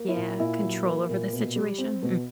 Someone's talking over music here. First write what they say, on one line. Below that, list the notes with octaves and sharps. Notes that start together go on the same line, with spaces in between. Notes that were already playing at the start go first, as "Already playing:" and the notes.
yeah, control over the situation,
Already playing: A#3
E4
A#2
A#2 E4
F#3
A#3
A#2
B2
G3
C4
B2